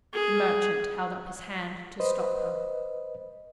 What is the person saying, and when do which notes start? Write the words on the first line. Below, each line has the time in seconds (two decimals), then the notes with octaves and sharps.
The merchant held up his hand to stop her.
0.14 G#4
2.00 B4 C5 D#5